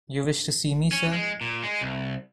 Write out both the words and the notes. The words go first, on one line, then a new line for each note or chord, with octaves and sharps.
You wished to see me, sir?
C#4
G#3
A#2
G#3
C2